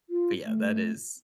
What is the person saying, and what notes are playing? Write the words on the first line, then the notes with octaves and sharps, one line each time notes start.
but, yeah, that is
F4
A3